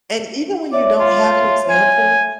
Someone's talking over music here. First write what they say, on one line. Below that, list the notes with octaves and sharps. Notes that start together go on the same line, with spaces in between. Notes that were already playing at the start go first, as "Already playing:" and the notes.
And even when you don't have an example
C#5 D5 E5
F4
G#5